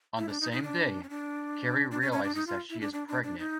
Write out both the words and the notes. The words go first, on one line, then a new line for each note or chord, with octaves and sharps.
On the same day, Carrie realizes that she is pregnant.
E4
D4
D#4
D#4
D4
C#4
D4
D4
C#4
C#4
D4
D#4
F4
E4
D4
D4
D4
D4
D#4